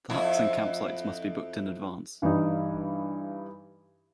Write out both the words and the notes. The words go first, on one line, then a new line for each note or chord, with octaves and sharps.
The huts and campsites must be booked in advance.
F2 E4
G2 E3 G3 D#4